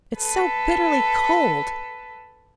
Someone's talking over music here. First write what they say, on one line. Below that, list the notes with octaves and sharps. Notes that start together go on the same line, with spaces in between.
It's so bitterly cold.
A4 B4